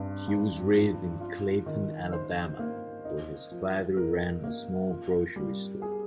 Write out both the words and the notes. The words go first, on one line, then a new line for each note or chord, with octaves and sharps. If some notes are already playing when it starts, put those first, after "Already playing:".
He was raised in Clayton, Alabama, where his father ran a small grocery store.
Already playing: G2 C4
G2
F3
F4
D#3
C5
A#3
D#4
F3
A#4
A#3
F4
G3
G#4